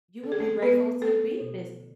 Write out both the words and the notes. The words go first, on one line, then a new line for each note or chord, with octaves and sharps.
you will be grateful to be this.
D3 A4
G#4
A3 A4
A3 B3 B4
A3 A4
B2
D3